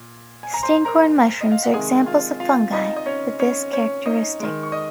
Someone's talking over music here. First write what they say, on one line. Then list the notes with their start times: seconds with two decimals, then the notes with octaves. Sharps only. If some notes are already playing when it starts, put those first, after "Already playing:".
Stinkhorn mushrooms are examples of fungi with this characteristic.
Already playing: A#2
0.43 G#5
0.54 A#5
0.63 C5 C6
0.85 A#4 A#5
1.41 D#5
1.52 F5
1.63 F#5
1.74 C3 D#3 G#3 G#4 G#5
2.06 F4 F5
2.40 F4 F5
2.73 D#4 D#5
2.96 D#5
3.06 C#4 C#5
3.39 C#4 C#5
3.73 C#4 C#5
4.06 D#4 D#5
4.39 D#3 G#3
4.63 C#6
4.72 D#5 D#6